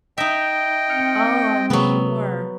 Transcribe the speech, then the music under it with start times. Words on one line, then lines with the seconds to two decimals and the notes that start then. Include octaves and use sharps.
Oh, I'm sure.
0.18 D#4 D#5 E5 G5
0.90 C4 F6 G6 C#7
1.70 C3 F#3 G#3 A#3 B3